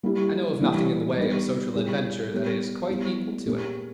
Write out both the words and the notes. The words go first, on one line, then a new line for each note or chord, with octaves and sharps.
I know of nothing in the way of social adventure that is quite equal to it.
G3 A#3 E4 G4
E3 G3 A#3 C#4 E4
G3 B3 D#4
B2 G3 B3 E4 G#4
G3 B3 G4 A#4
G3 B3 E4
A#2 G#3 C#4 G4 A#4